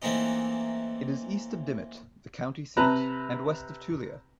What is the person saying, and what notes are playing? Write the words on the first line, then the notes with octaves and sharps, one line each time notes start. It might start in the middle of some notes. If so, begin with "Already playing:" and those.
It is east of Dimmitt, the county seat, and west of Tulia.
E3 A3 A#3 C4 C#4 D#4
C3 B4 A5 A#5 F#6